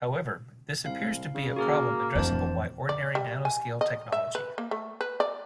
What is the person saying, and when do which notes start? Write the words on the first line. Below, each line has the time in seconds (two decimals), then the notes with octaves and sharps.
However, this appears to be a problem addressable by ordinary nanoscale technology.
0.86 C2 F5
1.35 C#3
1.56 A#3 F#4 G#4 A#4
2.15 D1 F2 E3 C5 A5
2.89 D5
3.15 G3
3.45 G#5
3.81 D#5
4.12 E5
4.35 B4
4.58 A#3
4.71 A3
5.01 B4
5.20 D5